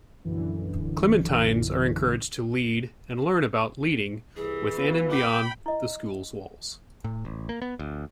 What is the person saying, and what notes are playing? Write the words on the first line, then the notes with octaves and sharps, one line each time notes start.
Clementines are encouraged to lead-and learn about leading-within and beyond the School's walls.
A#1 F#2 D3 E3
C2 E3 G#4
B3 F4 B4
G5 B5 D6
E4 D#5
A2
A1
A#3
B3
D2